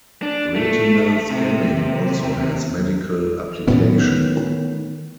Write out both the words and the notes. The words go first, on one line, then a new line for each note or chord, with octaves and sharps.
Retinal scanning also has medical application.
D4
A3
C3
A2 D#3 B3 C#4